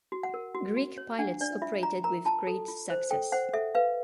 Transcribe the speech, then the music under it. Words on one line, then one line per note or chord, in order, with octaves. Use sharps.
Greek pilots operated with great success.
F#4
F#5
A#4
F#4
F#4
C#5
D4 F#5
D4 D5
F4 E5
F4 A#5
A#4 A#5
F4 A5
A4
F4
C5
A4 G5
C5 F#5
A4 E5
B4 F5